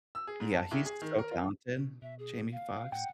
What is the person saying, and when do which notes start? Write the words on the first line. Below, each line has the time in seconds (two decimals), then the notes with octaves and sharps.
Yeah, he's so talented, Jamie Foxx.
0.15 E6
0.27 G#4
0.40 G#2
0.54 A5
0.71 C2
0.86 G#4
1.02 D#3
1.18 A#4
1.31 F4
1.76 B2
2.02 B2 E5
2.19 G#4
2.52 F5
2.92 A2 F#5 G5